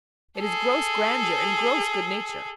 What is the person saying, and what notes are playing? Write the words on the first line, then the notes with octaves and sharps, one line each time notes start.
It is gross grandeur and gross good-nature.
G#4 A4